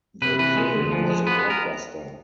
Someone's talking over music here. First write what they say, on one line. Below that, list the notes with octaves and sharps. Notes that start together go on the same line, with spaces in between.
The film was a blockbuster.
C3 B4
E3 B4
G#3
D2
F3
G#3
B3 B4
B4
A#4